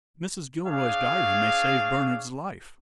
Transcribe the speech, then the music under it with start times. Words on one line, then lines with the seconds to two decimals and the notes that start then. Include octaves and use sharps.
Mrs. Gilroy's diary may save Bernard's life.
0.66 D4 G#4 C#5 F5